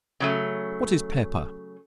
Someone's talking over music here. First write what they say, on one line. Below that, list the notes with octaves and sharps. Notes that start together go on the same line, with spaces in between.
What is Pepper?
C#3 F#3 A3